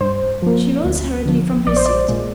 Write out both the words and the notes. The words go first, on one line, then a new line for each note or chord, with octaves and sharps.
She rose hurriedly from her seat.
G2 C5
F3 A#3
D2
D3 F3
A#1 D5
C5
D5
A#2 G#3